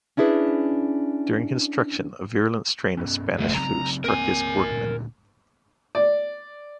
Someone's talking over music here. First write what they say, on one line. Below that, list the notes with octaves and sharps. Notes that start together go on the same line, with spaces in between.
During construction, a virulent strain of Spanish Flu struck his workmen.
C#4 D4 E4 G#4 B4
G2 B3 C#4
E1 C#3 A3 C5
C#3 F#3 C4 A#5
C#2 A#3 C4 A#4 G#5
D2 A#2
D5